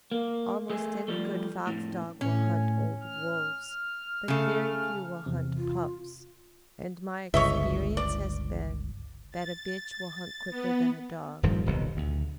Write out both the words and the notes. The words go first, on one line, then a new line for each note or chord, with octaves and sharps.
Almost any good fox dog will hunt old wolves, but very few will hunt pups, and my experience has been that a bitch will hunt quicker than a dog.
A#3
A3 G#4
F3 G3 A3
F2 A2
A2 C#4
F6
C#3 A3
E2 C3
F4
G1 C#2 C#5 D#5 E5
D5
A6
B3
D#1 G2 D#3 F3
D#1 B1 C3
D2